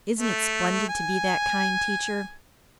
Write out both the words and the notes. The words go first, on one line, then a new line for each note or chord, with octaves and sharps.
"Isn't it splendid to be that kind, teacher?"
A3
G#5